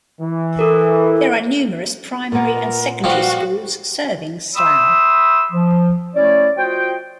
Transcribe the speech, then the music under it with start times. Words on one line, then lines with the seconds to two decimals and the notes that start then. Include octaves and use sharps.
There are numerous primary and secondary schools serving Slough.
0.20 E3
0.59 A4 A#4
2.32 A#2 B3 A#4
3.04 F3 G3 F#4 F5
4.56 E5 G5 B5 C6 D#6 E6
5.53 F3
6.15 A3 C#4 E4 C#5 D5
6.58 F4 F#4 C5 D#5 G5